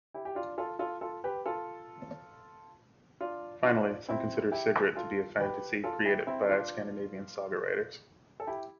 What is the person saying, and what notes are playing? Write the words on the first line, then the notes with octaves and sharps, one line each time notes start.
Finally, some consider "Sigrid" to be a fantasy created by Scandinavian saga writers.
E4 G4
G4
D4 F4
F4 A4
F4 A4
F4 A4
G4 B4
F4 A4
D4 F4
D4 F4
C4 E4
E4 G4
F4 A4
G4 B4
F4 A4
E4 G4
C4 E4
D4 F4
A4
E4 G4